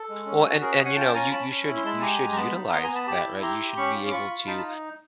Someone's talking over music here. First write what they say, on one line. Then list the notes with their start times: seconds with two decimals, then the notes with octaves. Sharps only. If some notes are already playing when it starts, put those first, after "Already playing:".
Well, and and, you know, you you should you should utilize that, right? You should be able to,
Already playing: A4
0.09 G#3
0.26 C#4
0.44 F#4
0.61 C#4 G#4 A#4
0.73 C#5 D#5
0.79 C#4
0.85 F#5 G#5
0.96 F4 G5 A5
1.15 C#4 G#5 A#5
1.31 C#4 A5 B5
1.50 C#4
1.67 E4 B5
1.76 C6
1.84 G#3 A5 B5
2.01 G4 G#5 A#5
2.19 G#3
2.33 A#5
2.37 B3 A5 B5
2.54 D#4
2.72 B3 A#5 C6
2.83 G#5 A#5
2.90 B3
2.95 A5 B5
3.07 G4 A5 B5
3.24 E4
3.42 G4 A#5 C6
3.59 G4
3.77 C#4 B5 C#6
3.95 F4
4.07 D6
4.12 F4 B5 C#6
4.30 F4
4.47 D#4 A5 B5